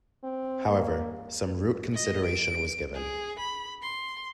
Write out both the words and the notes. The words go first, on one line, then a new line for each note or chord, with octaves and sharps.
However, some route consideration was given.
C4
A#3
D#5
D7
G#4
B5
C6